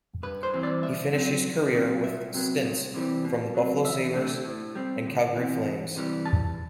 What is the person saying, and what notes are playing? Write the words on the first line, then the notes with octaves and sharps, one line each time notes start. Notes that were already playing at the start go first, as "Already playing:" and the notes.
He finished his career with stints for the Buffalo Sabres, and Calgary Flames.
G2 B4
C5
E3 G3 C4
D5
G2 E5
F#3 C4
C2
B2 F#3 C4
C2 E5
C3 F#3 B3
C2
C3 E3 G3 C4
B2
F#3 C4
E2 E5
D3 A3 C4
A2
G3 C4
D2
C3 E3
E2
C3 E3 G3
E2 A5